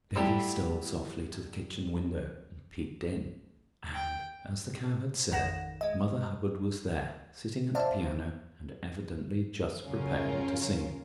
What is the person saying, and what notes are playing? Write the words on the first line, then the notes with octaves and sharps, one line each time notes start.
Davy stole softly to the kitchen window and peeped in, and, as the Cow had said, Mother Hubbard was there, sitting at the piano, and evidently just preparing to sing.
F#3 G3 A3 E4 G4
G5
A1 F2 D#3 F#5 A#6 E7
G#3 D#5
C5 D5 E5 F5 A5
F2 C#3 F#3 C#4 F4 A#4